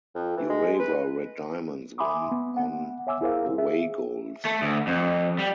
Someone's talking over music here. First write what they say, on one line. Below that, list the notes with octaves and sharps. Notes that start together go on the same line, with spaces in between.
Urawa Red Diamonds won on away goals.
F2
E3
G#3
B4
E5 G#5 B5 C6 D6 D#6
B3
B3 F#5
C#5 E5 G#5 D6 E6
E4 G#4 A#4 C5 F5
G#4 E5
A3
D2
F2
G3